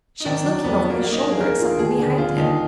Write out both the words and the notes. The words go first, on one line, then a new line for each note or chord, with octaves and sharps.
She was looking over his shoulder at something behind him.
D#4
D#3 D4
D4
F#3
D4
F2 B3
B3
F#3
A#3
F#3 A#3
D#4
D4
G#4
D4 A#4
F4
D#2 G#4
D3
D3 F4
D#2 D#4